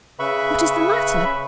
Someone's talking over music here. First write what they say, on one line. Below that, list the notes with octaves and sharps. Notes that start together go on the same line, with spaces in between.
'What is the matter?
C#3 B4 E5 B5 C#6